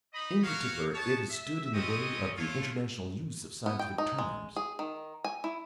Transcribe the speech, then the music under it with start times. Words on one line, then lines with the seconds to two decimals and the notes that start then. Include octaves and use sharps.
In particular it has stood in the way of the international use of scientific terms.
0.13 D#4 D#5 B5
0.43 F#4 A#4 C#5 F5
0.94 B3 D#4 C#5 A5
1.30 E5
1.73 G3 G#3 C4 C#4 D#5 D#6
2.36 A3 F4 C#5
3.66 B3
3.79 G5
3.98 D#4
4.18 G#3
4.56 G#4
4.79 D#3
5.24 G#5
5.44 E4